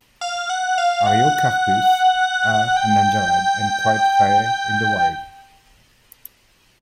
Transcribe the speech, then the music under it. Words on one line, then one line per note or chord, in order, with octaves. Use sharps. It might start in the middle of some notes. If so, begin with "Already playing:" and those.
"Ariocarpus" are endangered and quite rare in the wild.
F5
F#5
F5
F#5
G5